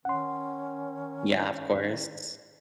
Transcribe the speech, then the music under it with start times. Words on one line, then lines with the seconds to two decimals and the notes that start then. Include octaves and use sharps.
Yeah, of course.
0.05 D#3 C#4 F#5 C6